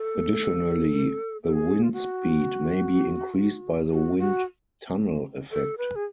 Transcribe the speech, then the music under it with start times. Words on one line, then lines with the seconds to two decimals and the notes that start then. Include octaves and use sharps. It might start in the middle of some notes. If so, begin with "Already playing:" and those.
Additionally, the wind speed may be increased by the wind tunnel effect.
Already playing: A4
1.44 A4
1.53 G#4
1.83 F4
1.93 F#4
3.92 F#4
4.18 F#4
5.52 A4
5.78 B4
5.96 G#4